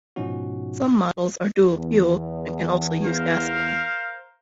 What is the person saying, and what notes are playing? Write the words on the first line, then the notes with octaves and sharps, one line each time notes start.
Some models are dual fuel and can also use gasoline.
G#2 B2 F3 C#4 D#4 F#4
E2
A#4 C5 F5